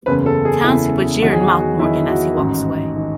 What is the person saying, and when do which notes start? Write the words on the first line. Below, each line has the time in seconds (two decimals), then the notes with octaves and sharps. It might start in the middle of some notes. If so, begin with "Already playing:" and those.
Townspeople jeer and mock Morgan as he walks away.
0.06 F#1 E2 C#3 B4
0.26 A4
0.45 G#4
0.64 F#1 E2 C#3 E4
1.22 E2 D#3 F#3 F#4
1.32 G#4
1.41 F#4
1.60 F#4
1.79 E2 D#3 F#3 E4
2.08 F#4
2.37 A1 G#2 D#3
2.96 D#3